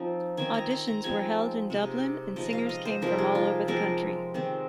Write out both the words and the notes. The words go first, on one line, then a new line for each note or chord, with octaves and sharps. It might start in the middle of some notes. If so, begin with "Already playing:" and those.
Auditions were held in Dublin and singers came from all over the country.
Already playing: F3 C4 D#4
D#3 C4 D#4 G#5
A#5
A#5
A#5
F3 G#3 C4 D#4 G#5
C3 G#3 D#4
F3 G#3 D#4 D#5
F5
D#5
C5
C3 F3 G#3 D#4 A#4
G#4
F4
F3 G#3 C4 A#4
D#3 G#3 C4